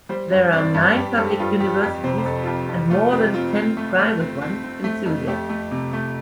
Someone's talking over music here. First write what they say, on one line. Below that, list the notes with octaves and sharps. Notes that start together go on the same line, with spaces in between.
There are nine public universities and more than ten private ones in Syria.
G3 C5
G2
C4 D5
G2
G2 G4
G2 A4
G4
G2 F4
G3 G4
F2 G4
C3 C5
C5
F2 A4
F4
F2 G4
F2 F4
A3 F4
C4 G4
C4 F4
C4
A3
A3
C4
C4
C4
A3
F2
A3 G4
A3
C3
A3